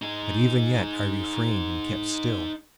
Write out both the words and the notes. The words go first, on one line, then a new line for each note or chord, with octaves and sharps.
But even yet I refrained and kept still.
D#4 G#4